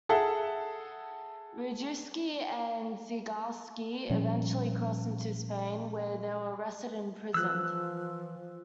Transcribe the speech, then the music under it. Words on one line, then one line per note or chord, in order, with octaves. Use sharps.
Rejewski and Zygalski eventually crossed into Spain, where they were arrested and imprisoned.
G#4 A4 E5 F#5
A#2 F3 G3 C#4
E3 F3 E6 F#6